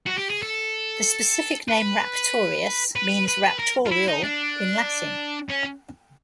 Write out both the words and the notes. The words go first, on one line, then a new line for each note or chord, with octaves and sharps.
The specific name "raptorius" means "raptorial" in Latin.
F#4
G4
G#4
A4
B4
B4
B4
A#4
F4
E4
D#4
D4
C#4